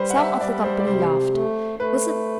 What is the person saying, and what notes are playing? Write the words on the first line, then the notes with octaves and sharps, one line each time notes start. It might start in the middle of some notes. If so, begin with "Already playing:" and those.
Some of the company laughed--Mrs.
Already playing: G3 B4 C5
F#5
E5
G3 D5
C5
D5
C3 C5
A3
A3 B4